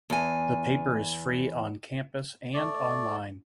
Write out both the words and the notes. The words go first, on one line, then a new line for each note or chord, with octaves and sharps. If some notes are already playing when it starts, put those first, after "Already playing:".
The paper is free on campus and online.
E2 G#5
A3 D5